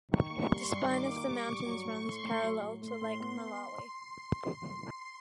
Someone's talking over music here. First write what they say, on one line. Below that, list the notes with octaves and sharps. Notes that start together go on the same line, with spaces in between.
The spine of the mountains runs parallel to Lake Malawi.
D#3 C#6
A#3
G3 C6
G2
D#3 D6
A#3
G3 C#6
G2
F#3 C#6
A2
A3 C6
A2
F#3
A2
A3 C6
A2
B3